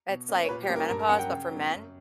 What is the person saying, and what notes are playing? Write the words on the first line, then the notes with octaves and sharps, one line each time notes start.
it's like perimenopause, but for men.
B2
A#3 C#4
C#5
A#2 B4
G4
G3 A#3 C#4
A#4
G2 A#4
A#4
F#3 C#4 F#5
G5
C#3
F#3 B3
F#2